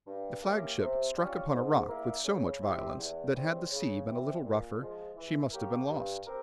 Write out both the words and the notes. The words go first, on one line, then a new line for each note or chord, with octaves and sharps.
The flag-ship struck upon a rock with so much violence that had the sea been a little rougher, she must have been lost.
G2
E3 A#3 C#4 G4
C3
G3 C#4 F4
G#2
G3 A#3 E4 A#4
C#3
F3 C4 E4 G4
E2
C#3 E3 G3 C4
C#3
E3 G3 C4
A#2
F3 G#3
E3
A#3 C#4 G4 A#4
G2
C4 G4 A#4